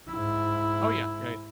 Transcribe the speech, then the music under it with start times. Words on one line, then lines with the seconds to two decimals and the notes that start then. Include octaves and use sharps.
Oh, yeah, yeah.
0.11 G#2 E4